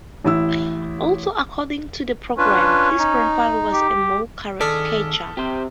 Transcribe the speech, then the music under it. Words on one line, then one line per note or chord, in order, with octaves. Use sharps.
Also according to the programme, his grandfather was a mole-catcher.
A1 E4 E6
C#4 D4 F4 B4
D#4
G4
D#3 G#4 A4 D5 D#6 F6 B6
C3 G4 C5